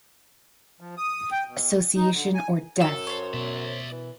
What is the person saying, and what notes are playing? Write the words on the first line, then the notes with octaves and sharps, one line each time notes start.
Association or death!
F3
D#6
G5
B2
D#4
D3
G#5
F#2 A4 E6
C5 C#5
B2 D5 E5
E3